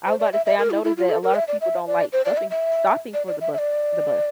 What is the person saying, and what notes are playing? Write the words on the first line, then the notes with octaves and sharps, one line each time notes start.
I was about to say I noticed that a lot of people don't, like, stuffing stopping for the bus the bus.
C5
D5
E5
E5
A#4
E4
E4
F4
A4
A#4
E5
D5
E5
D5
C5
D5
E5
E5
D5
D5
E5
E5
D5